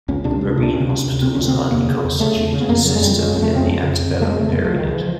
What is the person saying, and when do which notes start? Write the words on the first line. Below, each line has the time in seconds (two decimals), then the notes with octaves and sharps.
The marine hospitals hardly constituted a system in the Antebellum period.
0.08 C#2 C#4
0.24 C3 D4
0.41 C#2
0.57 C3
0.63 D4
0.74 D2 C#4
0.89 C3
1.06 D2
1.22 C3 C4
1.35 D2 C#4
1.48 C4
1.55 C3
1.71 E2 A#3
1.87 C#3
2.04 E2
2.20 C#3 A3
2.36 E2
2.53 C#3
2.60 B3
2.68 F2 A#3
2.85 C#3 F#3
2.95 G#3
3.01 F2 G3
3.17 C#3 G#3
3.33 F2 G#3
3.42 A3
3.50 C#3
3.56 C4
3.66 F2 C#4
3.83 C#3
3.99 F2
4.15 C#3
4.22 A3
4.27 G#3
4.31 F2
4.39 A3
4.48 C#3 B3
4.58 F#3
4.64 C#2 F3
4.76 D#3
4.80 C#3
4.89 E3
5.01 F3